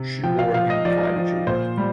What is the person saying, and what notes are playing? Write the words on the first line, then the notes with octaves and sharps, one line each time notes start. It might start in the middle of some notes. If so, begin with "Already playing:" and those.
She bore him five children.
Already playing: C3
F3 G5
F5
F3 F5
D#5
F3 D5
F3
A#2 C5
G3